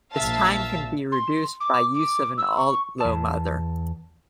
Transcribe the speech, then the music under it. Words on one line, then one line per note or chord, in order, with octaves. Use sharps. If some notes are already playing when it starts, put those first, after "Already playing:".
This time can be reduced by use of an allomother.
A#1 E5 F5 A5
C6
D6
D6
E6
C#6
E2 A5